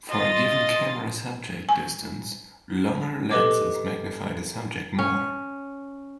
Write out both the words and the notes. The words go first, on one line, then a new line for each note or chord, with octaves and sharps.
For a given camera-subject distance, longer lenses magnify the subject more.
F4 D#5 C6 A6
G#5
G4 A4 B4 D#5 D6
C#4